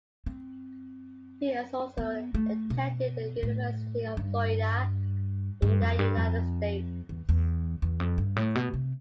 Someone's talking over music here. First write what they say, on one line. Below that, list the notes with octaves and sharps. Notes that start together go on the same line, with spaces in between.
He also attended the University of Florida in the United States.
C4
B3
A3
B2
A2
G2
G2
F2
G2
F2
E2
E2
E2
F2
G2
A2
B2
C3